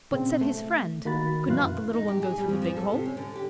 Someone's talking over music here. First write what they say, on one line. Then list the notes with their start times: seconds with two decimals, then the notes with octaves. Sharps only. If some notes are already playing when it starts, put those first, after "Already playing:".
"But," said his friend, "could not the little one go through the big hole?"
0.11 A#2 C#3 C4
0.41 A3
1.05 D#3 A#3 F#4 B5 A6
1.48 F#2 A#2 E3 F5 C6 F#6
1.93 D#4
2.08 G4
2.22 G#4
2.38 G3
2.49 F2
2.62 F3
2.76 A4
2.92 C3
3.05 C#4
3.17 D3
3.36 G4